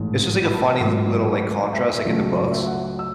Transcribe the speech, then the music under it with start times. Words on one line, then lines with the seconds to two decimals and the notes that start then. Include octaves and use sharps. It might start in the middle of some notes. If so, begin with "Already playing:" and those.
it's just, like, a funny l little, like, contrast, like, in the books,
Already playing: A1 G#2 E3 A3
0.45 B5
0.54 A5
0.62 G#5
0.71 F#5
0.80 G#1 G#2 F#3 A3 E5
0.95 D5
1.05 B4
1.10 C#5
1.42 B4
1.58 C#5
1.73 E5
2.05 C#2 C#3 F#3 A3
2.36 D5
2.52 E5
2.67 F#5
2.99 E6